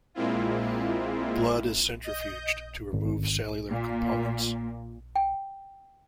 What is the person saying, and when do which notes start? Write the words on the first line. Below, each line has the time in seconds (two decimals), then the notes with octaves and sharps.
Blood is centrifuged to remove cellular components.
0.14 A#2 G#3 A#3 C4 E4 F4
2.04 D#5 G6
2.93 G#1
3.69 A#2
5.16 G5